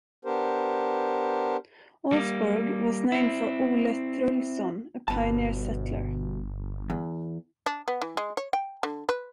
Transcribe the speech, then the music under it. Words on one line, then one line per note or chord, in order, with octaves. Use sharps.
Olsburg was named for Ole Thrulson, a pioneer settler.
B3 D4 G4 A#4 C5
G3 A#3
C4 E4
G1 B2 A5
E2
D4
B3
E3
G#3
C#5
G5
D3
B4